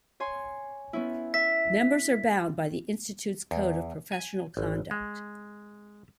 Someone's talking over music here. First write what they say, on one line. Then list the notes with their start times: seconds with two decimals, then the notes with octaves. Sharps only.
Members are bound by the institute's Code of Professional Conduct.
0.20 C#5 G#5 C6
0.93 B3 C#4 E4
1.34 E5 B6
3.51 E2
4.12 G#5
4.57 G#1
4.91 G#3